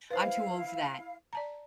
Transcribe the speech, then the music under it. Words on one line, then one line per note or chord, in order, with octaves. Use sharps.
I'm too old for that.
E4 B4 C5 F5
D5 A5 A#5